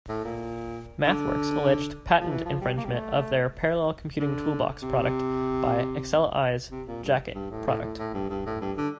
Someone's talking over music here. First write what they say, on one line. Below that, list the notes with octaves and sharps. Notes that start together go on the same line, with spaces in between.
MathWorks alleged patent infringement of their Parallel Computing Toolbox product by AcceleEyes' Jacket product.
A2
A#2
D3
F3
E3
F3
G3
A#3
G3
A3
D3
C3
C3
A#2
G2
G2
A2
A2
A2
A2
G2
G2
A2
G2
D3